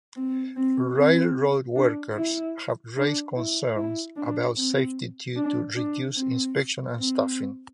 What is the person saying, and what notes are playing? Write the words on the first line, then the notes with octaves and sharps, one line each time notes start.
Railroad workers have raised concerns about safety due to reduced inspections and staffing.
C4
C4
C4
D4
E4
D4
E4
E4
D4
C4
D4
D4
C4
C4